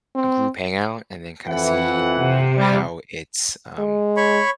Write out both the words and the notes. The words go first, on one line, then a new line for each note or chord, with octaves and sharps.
a group hangout and then kinda see, you know, how it's, um,
C4
F2 E3 F#5
C3
G3
G#3
C#5 B5 C#6